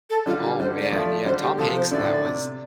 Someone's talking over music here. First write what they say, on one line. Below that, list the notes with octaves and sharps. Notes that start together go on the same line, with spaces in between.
Oh, man, yeah, Tom Hanks in that was
A4
D3 G3 F4
G4
D3 G3 C5
D5
F3 A3
D5
D3 G3 C5
G4
C3 F3 A4
C5
A2 D3 D5
C3